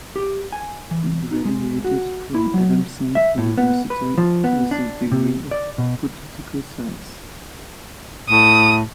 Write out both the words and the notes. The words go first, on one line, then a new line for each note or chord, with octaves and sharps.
He graduated from Adamson University with the degree of Political Science.
G4
G#5
E3
D#4
G#3
F#4
E4
F#3
E5
A2
B3
B4
F3
B3
D4
C3
D5
B2
A2 D#6